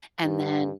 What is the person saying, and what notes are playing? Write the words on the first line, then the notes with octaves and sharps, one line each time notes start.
and then,
G2